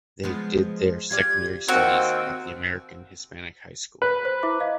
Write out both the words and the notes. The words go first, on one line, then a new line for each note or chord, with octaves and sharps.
They did their secondary studies at the American Hispanic High School.
F3 G#3 B3
F4 G4 D5 G#6
D#2 A#3 C4 F#4 E6
B4
C5
E4 E5 D6
D#5 F5